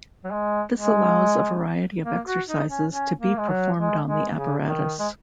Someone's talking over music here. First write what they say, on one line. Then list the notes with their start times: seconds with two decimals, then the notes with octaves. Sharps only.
This allows a variety of exercises to be performed on the apparatus.
0.24 F#3
0.31 G#3
0.75 G#3
2.04 A#3
2.26 F#4
2.48 D#4
2.69 C#4
2.91 C#4
3.19 A#3
3.37 G#3
3.49 F#3
3.78 G#3
4.07 G#3
4.35 C#3
4.64 D#3
4.99 G#3